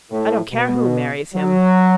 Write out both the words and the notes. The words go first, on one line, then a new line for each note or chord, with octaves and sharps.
I don't care who marries him.
A2
B2
F#3